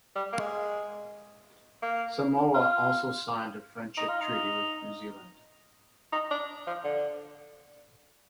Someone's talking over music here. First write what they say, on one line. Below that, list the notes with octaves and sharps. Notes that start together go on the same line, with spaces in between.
Samoa also signed a friendship treaty with New Zealand.
G3
A#3
G#3
A#3
F4
D#4
F4
D#4
D#4
D4
F3
D3